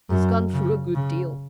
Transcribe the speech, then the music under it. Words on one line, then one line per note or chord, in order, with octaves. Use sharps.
He's gone through a good deal.
F#2
C#3
C#3